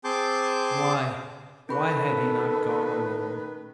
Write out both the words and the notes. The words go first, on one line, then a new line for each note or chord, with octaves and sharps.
Why ... why had he not gone alone?
C4 G#4 A5 C6 D6 G6
D#3 C#4 A4 B4 B5 C#6